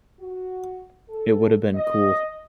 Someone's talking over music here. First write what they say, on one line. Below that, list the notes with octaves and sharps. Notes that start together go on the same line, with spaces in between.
It would have been cool.
F#4
A4
D#5